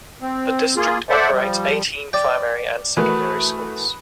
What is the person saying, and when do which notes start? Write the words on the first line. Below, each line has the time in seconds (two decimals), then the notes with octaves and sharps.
The district operates eighteen primary and secondary schools.
0.22 C4
0.76 A#3 F4 G#4
1.10 A4 C5 D5 E5 F#5
1.32 F3 G3
2.13 D5 G5
2.97 E3 A3 F#4 A#4 B5 D#6 F#6